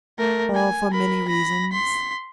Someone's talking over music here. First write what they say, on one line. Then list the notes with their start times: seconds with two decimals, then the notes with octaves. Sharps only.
"For many reasons."
0.19 A3 A#4
0.55 G#5
0.91 A#4 B5
1.28 B5 A#6
1.72 C6 B6